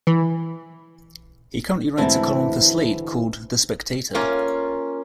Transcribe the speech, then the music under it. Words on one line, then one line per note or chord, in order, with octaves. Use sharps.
He currently writes a column for "Slate" called "The Spectator".
E3
D2 G#2 E3 C4 E4 A5
A#3 C#4 F4